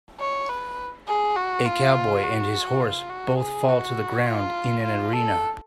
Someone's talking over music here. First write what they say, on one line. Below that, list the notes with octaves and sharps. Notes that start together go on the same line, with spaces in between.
A cowboy and his horse both fall to the ground in an arena.
C#5
B4
G#4
F#4
F4
F#4
F4
F#4
G#4
F#4
F4
F4
A4